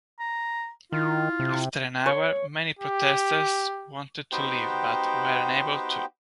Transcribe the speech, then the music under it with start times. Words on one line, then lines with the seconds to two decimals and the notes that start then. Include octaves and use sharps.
After an hour, many protesters wanted to leave but were unable to.
0.19 A#5
0.92 D#3 E4 F4
1.40 C3
2.06 C#5
2.79 G4
4.32 B3 D#4 F#4 G4 C5 G5